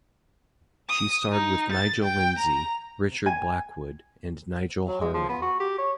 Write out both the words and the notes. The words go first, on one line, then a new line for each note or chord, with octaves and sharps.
She starred with Nigel Lindsay, Richard Blackwood and Nigel Harman.
D#6
D#4
A6
G5
A#5
G#5
F#3
G#3
F3
B3
F#4
G4
C#5